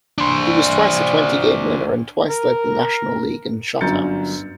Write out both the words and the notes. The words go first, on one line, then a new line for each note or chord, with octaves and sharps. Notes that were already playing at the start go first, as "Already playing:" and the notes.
He was twice a twenty-game winner and twice led the National League in shutouts.
D4 C5
A#4
G1 F#2 A#5 G6 A6 C#7